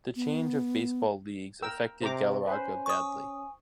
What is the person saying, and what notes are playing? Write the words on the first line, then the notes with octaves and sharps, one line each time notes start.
The change of baseball leagues affected Galarraga badly.
B3
A#4 G5 E6
C3 C5 A#5 D6
C#4 B4 C5 G#5
C#6 D#6